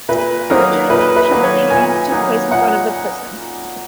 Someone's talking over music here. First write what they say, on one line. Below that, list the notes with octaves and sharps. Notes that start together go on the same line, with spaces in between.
Originally, public hangings took place at the front of the prison.
A#2 B4
F#3 A#3 D#4 A#4
A#2 B4
B4
F#3 A#3 D#4
C#5
A#2 G#5
F#3 A#3 D#4
A#2 F#5